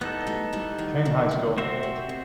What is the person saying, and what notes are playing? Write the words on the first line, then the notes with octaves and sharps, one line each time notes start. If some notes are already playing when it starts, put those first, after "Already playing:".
King High School.
E3 G3 B3 D#4 A4
F#3 A3
E3 G3
D#3 F#3
D#3 F#3
B2 D#3
C3 C4 F#4 C5 E5
C3
B2